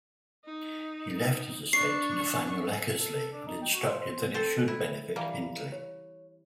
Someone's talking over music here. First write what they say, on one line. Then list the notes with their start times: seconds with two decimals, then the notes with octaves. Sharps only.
He left his estate to Nathaniel Eckersley and instructed that it should benefit Hindley.
0.45 D#4
1.73 D4 C#6 C7
2.99 A4
3.15 A4
3.33 D4
3.47 D#4
3.62 G5
3.74 F#4
3.86 C5
4.00 C5
4.12 C5
4.34 C4 A4 C5
4.68 E4
5.16 E3 G3 F5 A#5
5.72 C#5